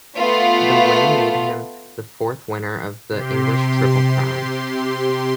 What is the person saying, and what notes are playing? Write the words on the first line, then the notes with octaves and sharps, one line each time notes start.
The win made him the fourth winner of the English Triple Crown.
A3 B3 F4
C3 G4 C6